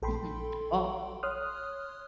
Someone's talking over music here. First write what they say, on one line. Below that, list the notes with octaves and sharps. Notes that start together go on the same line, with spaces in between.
Mhm Oh.
A#1 A4 G5 B5 C6
C#5 C6 D#6 F6 F#6